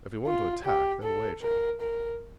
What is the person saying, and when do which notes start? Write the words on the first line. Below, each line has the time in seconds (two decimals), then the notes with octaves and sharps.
"If we want to attack they're waiting."
0.26 F4
0.65 G4
1.03 A4
1.42 A#4
1.81 A#4